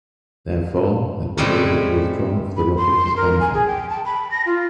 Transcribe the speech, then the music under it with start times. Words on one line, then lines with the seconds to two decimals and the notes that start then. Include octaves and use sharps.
Therefore, I propose that you withdraw it for the reporter’s benefit.
1.38 A2 C#3 G3 G#3 C4 E4
2.56 B5
2.77 C6
3.16 A#4
3.40 G#5
3.53 G#4
3.67 G5
3.89 A5
4.05 B5
4.31 A#6
4.46 F4